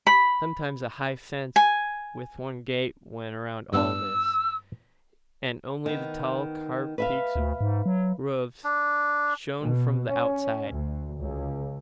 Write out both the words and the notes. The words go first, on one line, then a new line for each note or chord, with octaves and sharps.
Sometimes a high fence with one gate went around all this, and only the tall, carved peaks of roofs showed from the outside.
B5
G#5
G2 B3 D4 E6
D#3 B3
B4 E5 F5
D2
G#2
F#3
D4
B2
C#4
D2
C#2